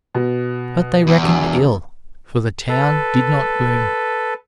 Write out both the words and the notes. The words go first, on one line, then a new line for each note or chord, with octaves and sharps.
But they reckoned ill, for the town did not boom.
B2
E2
E1
A4 B4